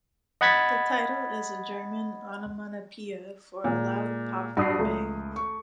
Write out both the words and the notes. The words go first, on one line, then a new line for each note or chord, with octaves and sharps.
The title is a German onomatopoeia for a loud pop or bang.
D#5 F#5 B5 G#6 A6 B6
A#2 G#3
G2 F#4 D#6 C7
C#2 A3
C#6